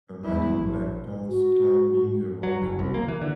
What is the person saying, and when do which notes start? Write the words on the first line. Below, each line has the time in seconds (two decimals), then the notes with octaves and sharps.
A man in black pants climbing a rock wall.
0.25 E2 E4
0.58 A#1
1.29 F#4
2.43 F#3
2.62 F#1
2.79 C2
2.94 A#3
3.08 E3
3.21 D3